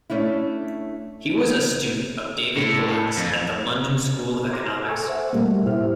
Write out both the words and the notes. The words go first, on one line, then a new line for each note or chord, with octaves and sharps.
He was a student of David Glass at the London School of Economics.
A3 C#4 D4 E4
A2
F2
A#5 C6 D6 F6 A#6
A4 G#5 C#6 E6
C5 E5 F#5
B2 G3 A3 A#3
A2 E4 G4 C5 E5 F6